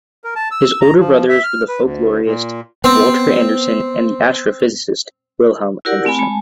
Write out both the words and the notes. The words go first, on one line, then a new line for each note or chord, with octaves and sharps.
His older brothers were the folklorist Walter Anderson and the astrophysicist Wilhelm Anderson.
A#4
A5
E6
A#5
F3
E5
F6
B4
D2
A#2
B3 C4
E4 F#4 G4 A#4 D5 F#5
A3 C4 G#5 B5
G#3 G#5 A5